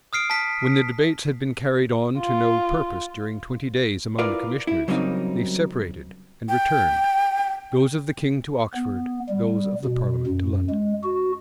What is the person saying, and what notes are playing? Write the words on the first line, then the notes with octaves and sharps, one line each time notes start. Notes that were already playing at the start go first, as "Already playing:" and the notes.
When the debates had been carried on to no purpose during twenty days among the commissioners, they separated, and returned; those of the king to Oxford, those of the parliament to London.
D#6 F6 C7 D7
A5 B6
F4
E4 F4 A#4 B4 D5 F5
E4
C#3 F#3 G3 A#3 C4 D#4
G5
B3
G3
B2
F#2
G#3
F#4